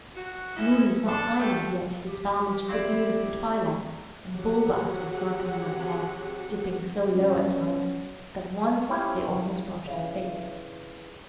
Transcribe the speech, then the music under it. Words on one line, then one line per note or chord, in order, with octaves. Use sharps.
The moon was not high enough yet to dispel much of the gloom of the twilight, and bullbats were circling overhead, dipping so low at times that once they almost brushed her face.
F#4
B3 C#4 D#4 E4
D4 A4
D2 G2 A#2 A3 C4 G4
G4
C4 E4 D5
F#3 C4 G4 G#4 F#5
B2 F#3 C#4
C4 C#4 E4 F4 G4 C#5
C#3 E3